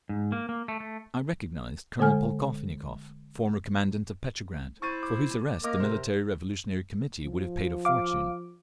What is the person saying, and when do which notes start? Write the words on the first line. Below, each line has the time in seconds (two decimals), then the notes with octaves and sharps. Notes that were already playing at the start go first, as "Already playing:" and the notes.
I recognised Colonel Polkovnikov, former commandant of Petrograd, for whose arrest the Military Revolutionary Committee would have paid a fortune.
0.09 G#2
0.32 A#3
0.49 A#3
0.68 A3
0.80 A3
1.99 D3 G#3 A4 G#5 F6
4.82 E4 C5 C#6 A6 D#7
5.03 D6
5.64 A#3 A#4 D#5 D6
5.80 C3 C5
7.24 F3
7.85 F5 D6